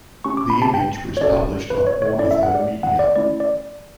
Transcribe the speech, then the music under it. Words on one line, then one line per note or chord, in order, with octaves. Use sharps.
The image was published on Ornithomedia.
A3 C#4 G4 C#6
D6
B5
A5
G5
C#5
C#4 F#4 A4 D5
B4
C#5
C#5
C#4 E4 A4 D5
E5
F#5
D5
F#5
D5
A3 C#4 E4 D5
D5